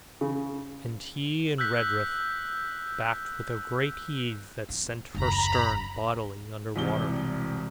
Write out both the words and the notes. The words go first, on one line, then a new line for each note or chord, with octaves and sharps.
And he and Redruth backed with a great heave that sent her stern bodily under water.
C#3
E6 F#6 G6 B6
B3
F#1 D#2 A#5 B5
E1 C2 C3 G7